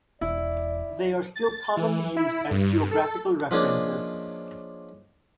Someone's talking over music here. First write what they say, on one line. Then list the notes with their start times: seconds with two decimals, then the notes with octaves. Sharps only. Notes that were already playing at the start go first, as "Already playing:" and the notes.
They are still commonly used as geographical references.
0.21 E1 E4 D5
1.35 A6
1.77 E3
2.17 E4
2.51 G2
2.91 A4
3.51 F3 G#3 A#3 C#4 D4